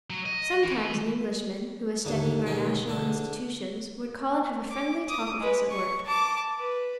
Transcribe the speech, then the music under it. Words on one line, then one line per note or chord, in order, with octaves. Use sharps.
Sometimes an Englishman, who was studying our national institutions, would call and have a friendly talk with us at work.
F#3
D#5
E3
D#2 G#2 D3
B2 D#3 G3 C#4
E2 D3 D4
D6
D6 D#6
G#3 B4
C#6
A5 D6
B4